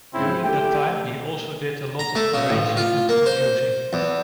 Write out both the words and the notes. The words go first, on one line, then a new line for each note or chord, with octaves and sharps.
During that time he also did a lot of arranging and producing.
G#2 C#3 C4 E4
A3 G4 G5
A#5
A3
C#3
A1
F4
A#3
C5
E2